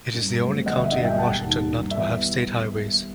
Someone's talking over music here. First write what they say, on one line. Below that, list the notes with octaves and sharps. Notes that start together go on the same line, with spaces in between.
It is the only county in Washington not to have state highways.
G2
F#3 A3 C4
G1 D#5 F#5
E5
G2 F#3 D#5 F#5
E5 G5
E1 F#5 A5
D#2 D#3
G2
E5
E3 B3